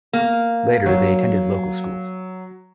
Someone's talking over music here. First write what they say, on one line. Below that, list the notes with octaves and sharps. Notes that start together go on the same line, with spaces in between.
Later, they attended local schools.
A#3
F#3